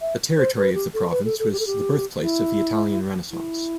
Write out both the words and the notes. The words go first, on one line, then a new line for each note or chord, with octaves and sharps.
The territory of the province was the birthplace of the Italian Renaissance.
E5
C5
B4
G4
A4
B4
A4
A4
G4
A4
G4
E4
E4